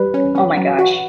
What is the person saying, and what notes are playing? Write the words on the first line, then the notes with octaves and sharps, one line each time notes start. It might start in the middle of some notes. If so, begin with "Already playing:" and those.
Oh my gosh.
Already playing: G3 B4
C#4
C#4
F#3
F#4